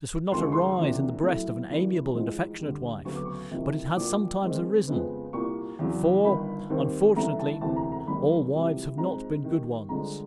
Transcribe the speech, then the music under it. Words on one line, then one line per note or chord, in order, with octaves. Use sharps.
This would not arise in the breast of an amiable and affectionate wife, but it has sometimes arisen; for, unfortunately, all wives have not been good ones.
D#2 C#3 F3 G#3 C6
C#6
C6
E2 C3 F3 A#3 D4
A2 F#3 A3
G#1 G2 E3 G3
A1 G#2 F3 G#3
D2 D3 G3
D2 C#3 F#3 B3 C#6
D6
C#6
F#1 F2 C3 D#3
A#1 A#2 F#3 D6
G2 D#3 G#3 C4
F2 C#3 F3 G#3 B3
C2 A#2 G3 A#3 C#6
E2 C#3 F#3
G1 G2 D#3 B5
D#2 D#3 G3 C4
A1 G2 E3 A3 C#4 A#5
A5
E1 D2 C3 E3 A5
A#5
A#5
G#1 F#2 D#3 G3 A#3 B5
C#2 C3 E3 G3
G#2 F3 G#3 C4 A#5
G2 D#3 G3
G2 D3 F3 G#3 A#5